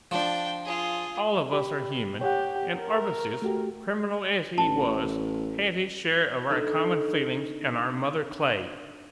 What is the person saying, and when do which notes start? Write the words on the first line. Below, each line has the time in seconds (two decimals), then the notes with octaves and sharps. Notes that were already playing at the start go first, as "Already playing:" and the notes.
All of us are human, and Arbaces, criminal as he was, had his share of our common feelings and our mother clay.
0.11 F3 D4 G5
0.65 F4 G#4
1.51 G4 B5
2.21 G4 C#5 F#5
2.79 A#4
3.42 A3 F#4 G4
4.58 A1 A5
6.50 D4 D#4 A4